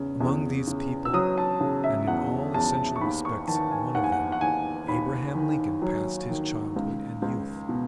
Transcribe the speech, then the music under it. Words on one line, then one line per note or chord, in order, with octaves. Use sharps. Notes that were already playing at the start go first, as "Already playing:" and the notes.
Among these people, and in all essential respects one of them, Abraham Lincoln passed his childhood and youth.
Already playing: E2 C#3
E2
C#3
E6
F#3 D#6
A5
C#3
E5
E2 F#5
E2 A5
C#6
D#2 B5
C#6
D#3 A5
G#5
D#2 F#5
G#5
F#5
F#5
D#2 G#5
D#2 B5
D#3
F#3
D#3
C#2
C#2
B2